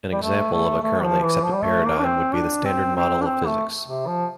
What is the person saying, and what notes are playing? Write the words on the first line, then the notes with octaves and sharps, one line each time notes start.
An example of a currently accepted paradigm would be the standard model of physics.
G3
A3
A3
A3
F3
E3
F3
G3
A3
A#3
D4
C4
D4
C4
C4
D4
C4
A3
C3
F3